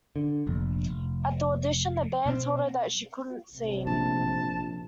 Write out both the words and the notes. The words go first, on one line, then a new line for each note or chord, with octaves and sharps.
At the audition the band told her that she couldn't sing.
D3
F1 A#1
F1
B2 C4
A1 C3
A#1 A5